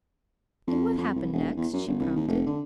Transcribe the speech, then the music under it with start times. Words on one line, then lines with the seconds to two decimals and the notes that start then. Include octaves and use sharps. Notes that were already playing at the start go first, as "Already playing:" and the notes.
"And what happened next?" she prompted.
0.67 F2
0.98 F2
1.16 C2
1.33 E1
1.56 E2
1.73 F#2
1.88 G1
2.00 C2
2.16 D#2
2.28 F1
2.47 D3